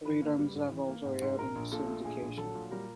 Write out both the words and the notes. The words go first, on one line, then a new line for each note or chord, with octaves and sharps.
Reruns have also aired in syndication.
E3 B4 B5
A#3
G3
G#2
E3
A#3
G#2
G#2
A#1 A#4 A#5
A#1
A#2 A4 A5
A3
A#1 G#4 G#5
A#1
F#3 A4 A5
A#2
G3 A#4 A#5